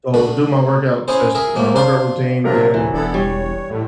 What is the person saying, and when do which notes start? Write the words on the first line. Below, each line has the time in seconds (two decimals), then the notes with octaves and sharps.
So, do my workout session my workout routine, then,
0.14 D3 A3 F#4
1.08 C#4 E4 G#4 C5
1.35 G#4 A#4 E5
1.56 G#2 F#3 A#3
1.76 D4 F4 C5 F5 C6
2.44 C3 F#3 C4 D4 F4 A#4
2.74 D2 D3 E3
2.94 E1 B3 D4 E4 A4
3.14 G3 C#5
3.70 A2 D3